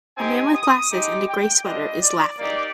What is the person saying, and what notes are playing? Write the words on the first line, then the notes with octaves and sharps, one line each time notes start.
A man with glasses and a gray sweater is laughing.
C4 D#4 G4 G#5
D#6
G#3 D#4 G4 D6
G5
G3 D4 F4 D#5
D5
A#3 D#4 G4 D5